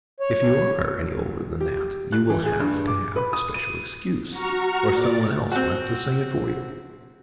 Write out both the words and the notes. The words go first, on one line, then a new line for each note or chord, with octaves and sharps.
If you are any older than that you will have to have a special excuse; or some one else will have to sing it for you.
C#5
G4
F#6
E3
G#4
G2
D6
B4
D#6
D#7
F#4 A#5 C#6 F6
A#2 D5 A6
C4 F#4